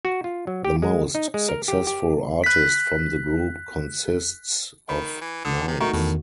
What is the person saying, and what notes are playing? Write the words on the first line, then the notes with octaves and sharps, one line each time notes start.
The most successful artist from the group consists of Nines.
F#4
F4
F#3
G4
G#3
D#4
G#3
A#4
G4
G4
F#6 B6
D#3 B5
E3
D3 D#6
C3
D#3 A3 D#4 F#4
E2 A2 D#3